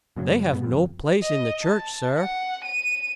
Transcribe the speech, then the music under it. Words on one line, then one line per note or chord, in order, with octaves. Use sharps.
They have no place in the church, sir!
F#2 A#2 C#3 F#3
G2 B2 G#3 B3
G1 F2
D#5
A5
F#5
D#7